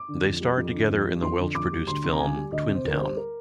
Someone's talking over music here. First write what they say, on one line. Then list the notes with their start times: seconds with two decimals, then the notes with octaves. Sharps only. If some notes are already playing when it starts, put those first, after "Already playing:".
They starred together in the Welsh-produced film "Twin Town".
Already playing: D6
0.08 D3
0.24 F2
0.41 G3
0.57 F2
0.74 D3
0.89 F2
1.06 G3
1.22 F2 C6
1.38 D3
1.55 F2 D6
1.72 G3
1.87 D2 C6
2.04 C3 C6
2.12 A#5
2.19 D2 G#5
2.36 G3
2.52 D2 D#5
2.68 C3
2.74 C5
2.85 D2 A#4
2.96 C5
3.01 G3
3.17 A#4